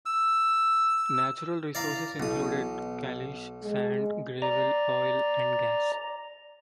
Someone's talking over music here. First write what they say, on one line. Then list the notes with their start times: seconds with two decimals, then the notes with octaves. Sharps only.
Natural resources included caliche, sand, gravel, oil, and gas.
0.06 E6
1.75 E3 D5 F5 A#5
2.20 B1 E3 D#6
2.52 B2
3.63 G#3
4.42 D5 A#5